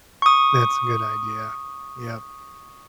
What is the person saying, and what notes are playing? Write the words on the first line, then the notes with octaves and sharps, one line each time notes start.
That's a good idea. Yep.
C#6 D#6